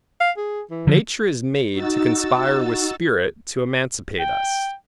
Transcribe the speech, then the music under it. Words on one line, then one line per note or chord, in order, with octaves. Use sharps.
Nature is made to conspire with spirit to emancipate us.
F5
G#4
E3
D3 F3
D#4 F#4 E6 A6
G5